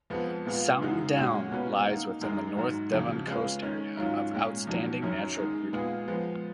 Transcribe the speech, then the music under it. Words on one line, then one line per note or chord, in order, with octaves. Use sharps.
Saunton Down lies within the North Devon Coast Area of Outstanding Natural Beauty.
F2 F3 G#3 B3
A#2 G#3 B3 F4
F#2 C#3 G#3 D#4 F#4
A#2 G#3 C#4 F#4
B2 A#3 C#4 F#4 B4
D#3 A#3 D#4
F#2 D#3 G#3
G#2 D#3 F#3
F2 C#3 F#3
G#3 C#4 F4 B4
D#3 G#3 C#4
G#2 D#3 F#3 C#4 F4
A#2 G#3 C#4 F4
F2 D#3 F#3
F#2 D#3 F#3 C#4
D#3 G#3 D#4
A#2 G#3 B3 F4 G#4
F3 G#3 B3